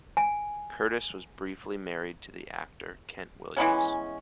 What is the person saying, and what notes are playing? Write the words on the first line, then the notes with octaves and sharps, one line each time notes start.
Curtis was briefly married to the actor Kent Williams.
G#5
E3 G#3 B3 C#4